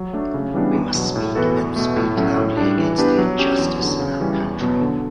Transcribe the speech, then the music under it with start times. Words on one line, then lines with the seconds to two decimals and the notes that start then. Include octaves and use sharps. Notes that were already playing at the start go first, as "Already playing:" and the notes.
We must speak and speak loudly against the injustice in our country.
Already playing: F#3
0.13 A3 D4
0.34 C#3
0.54 E3 G3 B3 D4
0.74 E2
0.95 B2 F#3
1.16 A2
1.35 E3 B3 F#4 A4
1.56 E2
1.76 B2 A3
1.96 A2
2.17 F#3 A3 C#4
2.37 A2
2.57 G3 D4
2.78 E3
2.98 B3 D4 G4 B4
3.18 F#3
3.39 C#4 G4
3.59 E2
3.79 D3 F#3
4.00 C#3
4.20 E3 G3 C#4
4.41 E2
4.61 B2 F#3 B3
4.81 D3